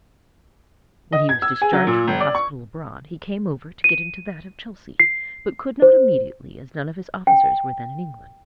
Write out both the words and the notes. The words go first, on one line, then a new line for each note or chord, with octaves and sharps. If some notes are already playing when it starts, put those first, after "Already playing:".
When he was discharged from the hospital abroad he came over to get into that of Chelsea, but could not immediately, as none of his officers were then in England.
D#5
G#6
E6
G#4
F#3
A#2
G1
D5
C#6
D#7
C7
C5
G5